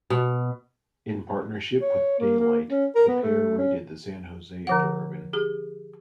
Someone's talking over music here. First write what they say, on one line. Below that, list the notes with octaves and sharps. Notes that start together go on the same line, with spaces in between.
In partnership with Daylight, the pair raided the San Jose Interurban.
B2
C#5
A#3
A#3
C#4
A#4
B3
A3
C#4
D3 F3 F#5
G4 G#4